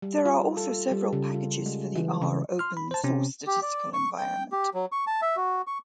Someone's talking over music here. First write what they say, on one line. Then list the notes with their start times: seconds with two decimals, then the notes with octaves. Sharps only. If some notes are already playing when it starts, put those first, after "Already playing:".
There are also several packages for the R open source statistical environment.
0.02 G3
0.25 F4
0.57 A4
0.91 G3
1.13 C#3
1.34 F4
1.66 G#3
1.95 E3
2.22 C#3
2.59 C6 F6
2.77 B5
2.91 C5 A5
3.04 C3 C4 C#4
3.47 G4
3.62 D5
3.94 C#6
4.18 G5
4.52 G4
4.74 F#3
4.92 C#6
5.07 A5
5.22 E5
5.37 F#4
5.67 C#6